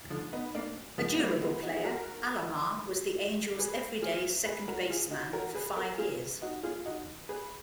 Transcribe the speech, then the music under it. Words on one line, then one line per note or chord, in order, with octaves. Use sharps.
A durable player, Alomar was the Angels' everyday second baseman for five years.
D3 F3
B3 D#4
A#3 D4
F3 G#3
B3
F#3 A#3
G#3 B3
D#4 F#4
G#4
F#4 A#4
G#4 B4
F4 G#4
G#4 B4
F#4 A#4
F4 G#4
D#4 F#4
F#4 A#4
G#4 B4
F#4 A#4
F4 G#4
D#4 F#4
F4 G#4
D#4 F#4
G#4 B4